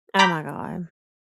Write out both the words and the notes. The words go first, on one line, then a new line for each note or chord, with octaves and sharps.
Oh my god.
A#5 B5 D6 G6 B6